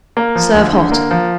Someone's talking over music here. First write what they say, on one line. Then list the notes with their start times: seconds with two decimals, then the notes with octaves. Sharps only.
Serve hot.
0.17 A#3
0.35 F3
0.54 D2
0.73 D3
0.92 A#3
1.11 F3